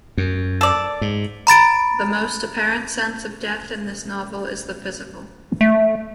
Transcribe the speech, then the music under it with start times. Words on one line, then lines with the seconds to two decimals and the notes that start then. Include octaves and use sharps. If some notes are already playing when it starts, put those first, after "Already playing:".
The most apparent sense of death in this novel is the physical.
0.17 F#2
0.61 A4 D5
1.01 G#2
1.47 A#5 B5 A6 D7
5.61 A3